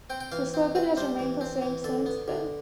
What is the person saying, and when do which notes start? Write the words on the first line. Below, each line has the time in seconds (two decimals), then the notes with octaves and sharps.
The slogan has remained the same since then.
0.10 C4 G5
0.20 G5
0.32 E3 F5
0.54 C4
0.75 C4 B4
0.97 G3 C5
1.19 E3
1.41 C4
1.62 E3
1.84 D3 A4
2.06 B3
2.28 D3